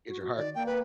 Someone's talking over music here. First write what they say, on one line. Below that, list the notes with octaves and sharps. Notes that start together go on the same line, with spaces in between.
Get your heart
F#4
F#4
D#3 D5
A#3 G5
B4